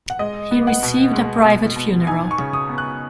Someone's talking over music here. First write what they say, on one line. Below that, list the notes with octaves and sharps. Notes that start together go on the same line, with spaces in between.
He received a private funeral.
F#5
G#3 D#5
B3
F#5
B2
G#3
B2
B2
D#4 G#5
C#6
C#3
D#6
B3
F#6